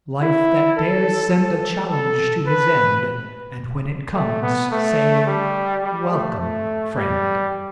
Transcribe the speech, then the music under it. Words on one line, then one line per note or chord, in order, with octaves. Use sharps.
Life, that dares send A challenge to his end, And when it comes, say, "Welcome friend."
E4
A4
A4
A4
B4
A3
B3
A3
G3
G3
A3
A3
G3